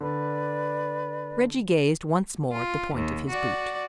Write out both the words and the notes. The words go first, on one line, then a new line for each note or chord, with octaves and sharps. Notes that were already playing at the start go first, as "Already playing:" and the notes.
Reggie gazed once more at the point of his boot.
D3 B4 D5
F4
D#2
F#4 D5